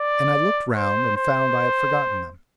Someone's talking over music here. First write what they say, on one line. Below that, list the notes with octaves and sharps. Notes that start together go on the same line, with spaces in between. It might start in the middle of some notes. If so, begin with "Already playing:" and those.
And I looked round, and found I had forgotten them.
Already playing: D5
C5
C5